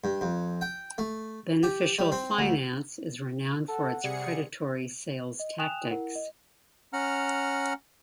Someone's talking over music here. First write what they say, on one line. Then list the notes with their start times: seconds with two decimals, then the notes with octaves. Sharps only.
Beneficial Finance is renowned for its predatory sales tactics.
0.04 G2
0.21 F2
0.61 G5
0.98 A3
1.63 G4
1.99 G3
2.12 C4
2.38 D2
3.68 A4 F#5
4.04 C3 G3 G#4 C#7
5.40 D#5
5.58 G5 G#5 D#6 F#6 E7 F7
5.91 E4 A#4 F#5
6.15 D#5
6.93 C#4 F#5 A#5 F6